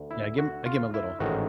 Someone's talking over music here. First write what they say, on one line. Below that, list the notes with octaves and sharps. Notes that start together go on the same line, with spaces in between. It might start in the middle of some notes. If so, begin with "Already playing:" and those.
Yeah, I give him I give him a little.
Already playing: D2
E4
F#4
F4
E4
A1 G#2 D#3 F#4